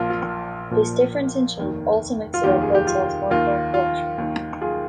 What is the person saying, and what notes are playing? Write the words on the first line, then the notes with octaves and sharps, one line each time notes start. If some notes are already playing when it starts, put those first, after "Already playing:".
This difference in shape also makes the red blood cells more prone to rupture.
Already playing: A#1 A#2 F3 F4
F4
A#1 A#2 F3
F1 D#2 D#3
F4
F1 D#2 D#3 G4
G#4
G4
F4
D#2 D#3 F4
F4
D#2 D#3
F4 G#4